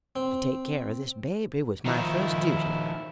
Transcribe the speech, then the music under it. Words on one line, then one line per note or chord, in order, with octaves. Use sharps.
To take care of this baby was my first duty.
C4
D#3 F3 E4